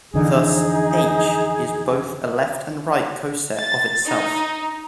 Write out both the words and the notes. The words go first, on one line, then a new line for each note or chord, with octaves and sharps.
Thus "H" is both a left and right coset of itself.
F2 D3 E3 D#4 G#4
A6
D#4